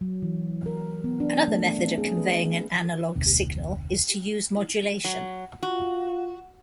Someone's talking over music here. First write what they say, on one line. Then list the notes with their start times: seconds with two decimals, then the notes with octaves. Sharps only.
Another method of conveying an analogue signal is to use modulation.
0.01 F#3
0.22 E3
0.66 A#4
1.04 B3
1.20 D4
1.48 A3
1.79 C4
1.98 G#4
2.17 B4
2.45 G#4
3.15 F1 D2 B2
5.05 F#3
5.63 F4 F#4